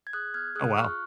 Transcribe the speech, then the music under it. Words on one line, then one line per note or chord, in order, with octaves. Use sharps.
Oh, wow.
G#6
G#4 D#6 F#6
B3 F6 G#6
G#4 D#6 F#6
F#6
F4 C#6 F6